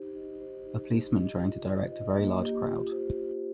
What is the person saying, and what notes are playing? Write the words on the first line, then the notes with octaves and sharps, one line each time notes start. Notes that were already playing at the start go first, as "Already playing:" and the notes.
A policeman trying to direct a very large crowd.
Already playing: D#4 G4 C5
D#5
C5
D#4
G4
D#5
F4
C5
D#5
A#3
G4
F4
C5